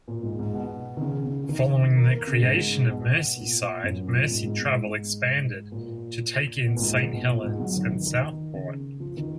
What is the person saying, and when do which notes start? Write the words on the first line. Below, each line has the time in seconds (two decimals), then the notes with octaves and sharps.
Following the creation of Merseyside, Merseytravel expanded to take in Saint Helens and Southport.
0.08 A#2
0.23 G#2
0.39 G#2
0.54 B2
0.97 D#3
1.01 C#3
1.25 C#3
1.44 C#3
1.49 D#3
1.96 A#3
2.11 A#3
2.27 C#3
2.43 G#2
2.89 B2
3.37 A#2
3.84 F#2
4.07 A#2
4.31 G#2
4.46 G#2
4.62 G#2
5.72 A#2
6.66 B2
6.76 A#2
6.81 G#2
6.97 A#2
7.13 B2
7.28 A#2
7.43 G#2
7.60 F#3
7.76 D#3
7.90 D#3
8.07 D#3
8.54 C#3
9.00 F3
9.17 D#3